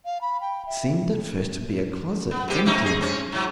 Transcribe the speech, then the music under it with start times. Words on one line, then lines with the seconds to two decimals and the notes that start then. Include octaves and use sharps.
It seemed at first to be a closet, empty.
0.05 F5
0.21 B5
0.41 G5
0.66 E5
2.31 B3
2.48 C3 G4
2.66 C3 A3 D#4
2.83 D#4 G#4
3.01 C4 C#4
3.32 G#2 F#3